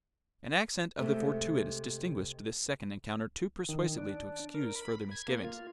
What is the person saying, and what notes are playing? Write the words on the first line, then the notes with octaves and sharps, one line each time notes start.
An accent of the fortuitous distinguished this second encounter too persuasively to excuse further misgivings.
C3 G#3 A3
D#3
D4
A#4
B5
G#6
A#3
F4